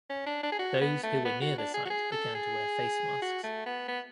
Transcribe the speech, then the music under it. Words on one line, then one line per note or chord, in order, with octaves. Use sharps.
Those who were near the site began to wear face masks.
C#4
D4
D4
G#4
F#4
B3
A3
B3
F#4
D4
G#4
F#4
G#4
A4
G#4
F#4
A3
B3
B3